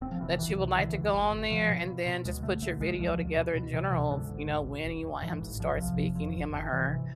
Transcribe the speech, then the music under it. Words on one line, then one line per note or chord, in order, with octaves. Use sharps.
that you would like to go on there and then just put your video together in generals, you know, when you want him to start speaking- him or her-
E1 C4
F3
B2 E3
D3
C2 E3
C3
D3 E3
D2
G#1
G#1
B2 F3
B2
B2
B2
D2 G#3
D3 A3
B1 A3
B1 G#3
D2 F3
D2
B2
B2
C3 E3
D2 E3
G#2 D3
G#1
B1
B1
E1
E1
G#2 E3
A1
C2 F3
C3 F3
F1
F2
G#1
G#1
C3 E3